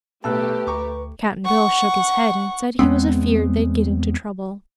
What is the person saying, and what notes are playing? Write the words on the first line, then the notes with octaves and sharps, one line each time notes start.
Cap'n Bill shook his head and said he was afeared they'd get into trouble.
B1 A3 G4 B4 A5 E6 F#6
D2 A#5 C#6 D6
F#5 C#6
E2 G#3 B3 C4